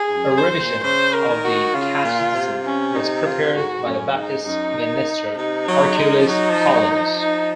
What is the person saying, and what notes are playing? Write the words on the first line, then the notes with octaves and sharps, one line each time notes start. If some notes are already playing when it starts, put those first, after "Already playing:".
A revision of the catechism was prepared by the Baptist minister, Hercules Collins.
Already playing: G#4
G#2
F#2
G#2 C5
A#2
C#3 C5
A#4
D#3
F#4
C#3 F4
A#2
C3
C#4
D#4
F4
G#2 F#4
F#2 C#4
G#2 D#4
F#2 D#4
D#3
C3 D#4
F#3
G#3
F3
F#3 D#4
F3
G#3
F#3
D#3
F3
D#4